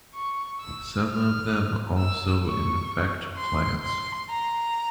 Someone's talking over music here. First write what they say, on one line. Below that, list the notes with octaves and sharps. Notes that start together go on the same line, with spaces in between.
Some of them also infect plants.
C#6
E6
F6
E6
C#6
C6
C6
A#5